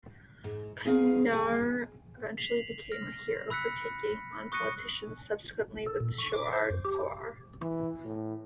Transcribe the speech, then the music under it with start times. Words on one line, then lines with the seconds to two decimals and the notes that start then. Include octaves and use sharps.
Khairnar eventually became a hero for taking on politicians, subsequently with Sharad Pawar.
0.44 G#2
0.85 B3 G#4 A#4 D#5 F5
1.31 D2 G#3 C5 E5 G5 G#5
2.37 B6 C7 F7 F#7
2.91 F6 A#6
3.50 B5 E6 F#6 B6 C#7
4.52 C#6 D#6 F#6 A#6 C#7 D#7
5.87 A4
6.00 A#2
6.18 C#6
6.33 D6
6.53 C5
6.70 F#2
6.85 G4
7.61 E3
8.04 A2